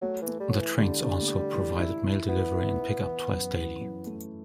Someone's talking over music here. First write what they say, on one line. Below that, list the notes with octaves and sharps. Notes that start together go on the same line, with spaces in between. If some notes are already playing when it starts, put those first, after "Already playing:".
The trains also provided mail delivery and pick-up twice daily.
F#3 A3
E3
A3
G3
F#3 E4
E3
D3 G3
D3
A3
E3
E4
E4
B3 E4
E4
E4
E3
F#2
E3
F#2
A3